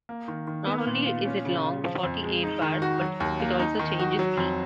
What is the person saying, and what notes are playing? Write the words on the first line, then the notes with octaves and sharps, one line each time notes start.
Not only is it long - forty-eight bars - but it also changes key.
A#3
D#3
D#3
B3
A#2
F4
C#4
C#3
F4
F3
F2
G#3
D#4
D#3
F#4
F#3
D#2
A#3
D#4
D#3
F#4
F#3
F2